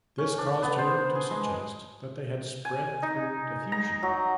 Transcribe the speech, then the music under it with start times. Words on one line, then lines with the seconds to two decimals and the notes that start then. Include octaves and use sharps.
This caused her to suggest that they had spread through diffusion.
0.18 C#4
0.38 D4
0.62 B3
0.78 C5
0.98 B4
1.15 G#4
1.31 G#3
2.65 G#5
3.02 D#4
3.72 A#5
4.03 F#3